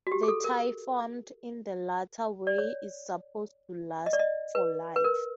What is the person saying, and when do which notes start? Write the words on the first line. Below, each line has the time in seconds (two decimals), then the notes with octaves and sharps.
The tie formed in the latter way is supposed to last for life.
0.07 F#4
0.12 G4
0.23 G#4
0.28 A4
0.44 A#4
2.47 D5
2.58 C#5
4.06 D#5
4.13 D5
4.19 D#5
4.55 B4
4.96 B4
5.04 A#4